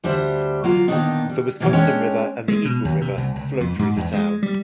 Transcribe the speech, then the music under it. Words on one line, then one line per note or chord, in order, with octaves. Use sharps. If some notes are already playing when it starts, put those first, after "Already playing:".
The Wisconsin River and the Eagle River flow through the town.
D2 G3 D4 C5 D#5 E5
F#3 A#3 F4
A#2 D#3 F#3 B3 D4 D#4
G3
B2 E3 F3 A#3
G#3 C#4 D4 C#5 G5
G#3
B2
D#2
C3
C2
C#2
F2
G#2
E2
G#3
G3